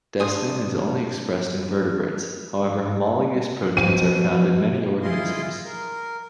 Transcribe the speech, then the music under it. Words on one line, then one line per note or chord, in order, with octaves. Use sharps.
Desmin is only expressed in vertebrates, however homologous proteins are found in many organisms.
D4 C5 G#5 D#6
B2 F3 D#7
E4 F4 G#4 D#5 C6
A#4